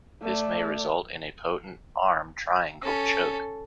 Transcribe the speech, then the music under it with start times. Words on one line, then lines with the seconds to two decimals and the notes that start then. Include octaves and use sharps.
This may result in a potent arm triangle choke.
0.23 A3 D5
2.82 C#4 A4